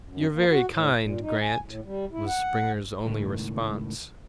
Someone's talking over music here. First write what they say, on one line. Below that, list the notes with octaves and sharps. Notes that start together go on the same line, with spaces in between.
"You're very kind, Grant," was Springer's only response.
F#2
A#3
F#4
A2
A#2
D#4
G#5
A2
G3
E4
F#5
C#2 A2 D#3